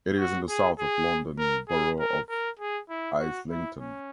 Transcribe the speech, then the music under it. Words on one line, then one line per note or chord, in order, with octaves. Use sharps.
It is in the south of the London Borough of Islington.
F#4
G#4
G#4
A#4
G#4
A#4
A#4
G#4
E4
F#4
E4
C#4